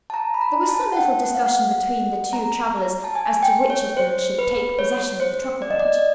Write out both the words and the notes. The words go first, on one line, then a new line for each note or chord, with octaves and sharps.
There was some little discussion between the two travelers, as to which of them should take possession of the truckle-bed.
A5
A#5
B5
A#5
A5
F#5
G5
F#5
F5
F#5
A#5
A5
G#5
G5
C#5
C5
B4
C#5
C5
D5
D#5
D5